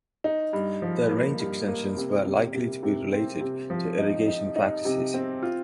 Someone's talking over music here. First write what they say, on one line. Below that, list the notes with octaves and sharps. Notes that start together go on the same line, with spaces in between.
Their range extensions were likely to be related to irrigation practices.
D#4
G2
F3
A#3
G2
A#3
C3
C3
C3
C3
C4
C3
F3
D#4
D#4
D#4
C3
C4
F4